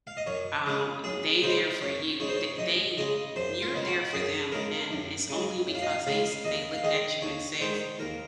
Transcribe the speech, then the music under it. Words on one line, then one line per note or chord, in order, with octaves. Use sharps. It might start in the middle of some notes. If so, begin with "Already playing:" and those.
Um, they there for you, the they you're there for them, and it's only because they s they looked at you and says,
F5
D#5
F#2 C#5
C#3 G#3
F#2 G#4
C#3 G#3 C5
F#2 C#5
C#3 G#3 C#5
C5
C#5
F#2 D#5
C#3 G#3 D#5
F#2 C5
F4
C#3 G#3
F#4
F#2 G#4
C#3 G#3 A#4
F#2
C#3 G#3
F#2
F5
D#5
F5
C#3 G#3 F5
D#2 D#5
F5
D#3 G#3 D#5
D#2 C#5
D#3 G#3 C5
D#2 A#4